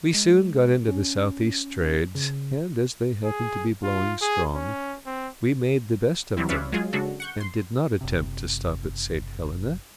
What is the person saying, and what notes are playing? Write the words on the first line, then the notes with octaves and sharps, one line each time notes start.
We soon got into the south-east trades, and, as they happened to be blowing strong, we made the best of them, and did not attempt to stop at Saint Helena.
G#3
C#4
C#3
G#4
F4
G#4
C#4
C4
E3 F#3 G3 C4 E4
C#4 B4 C#5 D5 E5 F5
F#3 G#3 F4 G#4
C#3 F#3 G#3 D4 F#4 A4
F#5 C#6 G6
C6
F#1 C3